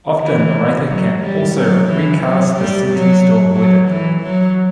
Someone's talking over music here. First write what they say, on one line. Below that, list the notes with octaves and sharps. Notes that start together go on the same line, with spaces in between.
Often the writer can also recast the sentence to avoid it.
E3
F#3
G3
F#3
E3
F#3
G3
F#3
F#3
E3
F#3